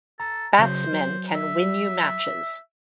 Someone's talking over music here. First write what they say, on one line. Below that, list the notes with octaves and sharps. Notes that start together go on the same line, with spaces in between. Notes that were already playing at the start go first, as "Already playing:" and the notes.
Batsmen can win you matches.
A4 A#5
C#3 F#3 C5
F#3
E5